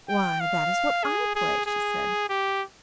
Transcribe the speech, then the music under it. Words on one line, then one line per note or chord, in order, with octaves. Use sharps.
'Why, that is what I play!' she said.
G5
F5
G#4
G#4
G#4
G4